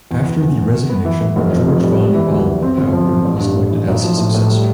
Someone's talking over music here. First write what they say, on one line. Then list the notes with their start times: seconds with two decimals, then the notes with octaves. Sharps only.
After the resignation of Georg von Vollmar Auer was elected as his successor.
0.11 E2
0.26 E2
0.42 E2
0.58 E2
0.74 E2
0.89 B3
1.05 E3
1.21 E3
1.36 F1
1.52 F2
1.68 F2
1.84 G3
1.99 B3
2.15 E3
2.31 D2
2.47 E3
2.62 C4
2.78 G1
2.93 F3
3.09 F3
3.24 A1
3.40 G2
3.56 G2
3.71 A1
3.88 B1
4.03 F3
4.18 A2
4.34 A2
4.50 G3